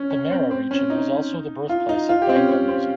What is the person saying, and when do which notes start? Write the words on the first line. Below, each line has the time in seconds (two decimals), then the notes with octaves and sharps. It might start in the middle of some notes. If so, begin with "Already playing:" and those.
The Mara Region was also the birthplace of Benga music.
Already playing: C#4
0.11 C#4
0.31 C4
0.51 C4
0.71 C#4
0.90 D#4
1.69 F4
1.89 D#4
2.09 F4
2.22 G4
2.29 C4
2.35 C#4
2.48 C4
2.68 C4